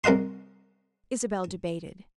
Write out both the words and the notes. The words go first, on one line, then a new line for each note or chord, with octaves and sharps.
Isabel debated.
C2 A#4 D#5 F#5 C6